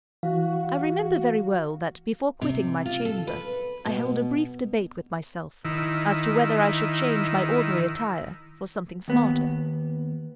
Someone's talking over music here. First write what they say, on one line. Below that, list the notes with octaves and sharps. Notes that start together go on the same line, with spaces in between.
I remember very well that before quitting my chamber, I held a brief debate with myself as to whether I should change my ordinary attire for something smarter.
E3 F#4 F5
C3
F4
A4
B4
B2
D#3 E4
D#2 B3